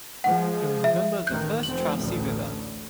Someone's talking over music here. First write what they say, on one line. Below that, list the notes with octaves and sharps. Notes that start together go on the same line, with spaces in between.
It was a member of the first Traci River.
F3 G#3 F#5
E5
A1 D#3 F#6 G6
F1 C4 F#7
A1 D2